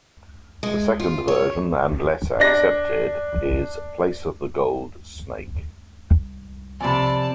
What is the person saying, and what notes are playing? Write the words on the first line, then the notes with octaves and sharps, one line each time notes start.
The second version and less accepted is "place of the gold snake".
G#3
F4
C#5
D4 A#6
C2
F2 C3 D5 G#5 A5 B5